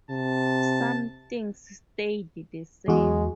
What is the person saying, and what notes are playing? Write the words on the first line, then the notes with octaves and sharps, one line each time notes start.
Some things stayed the same.
C3 A5
E2 G#3 F#4